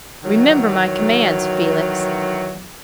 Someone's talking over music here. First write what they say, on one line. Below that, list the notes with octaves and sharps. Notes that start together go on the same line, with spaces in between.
Remember my commands, Felix.
D#3 E3 F#3